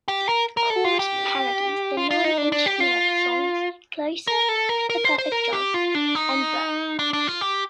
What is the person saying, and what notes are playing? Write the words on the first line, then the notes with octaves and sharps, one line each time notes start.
The chorus parodies the Nine Inch Nails songs "Closer", "The Perfect Drug" and "Burn".
G4
A#4
A#4
A4
F4
G4
F4
F4
D#4
D4
D4
G4
F4
A#4
A4
A#4
A#4
C5
C5
A#4
G4
F4
D4
D#4
D4
D4
F4
G4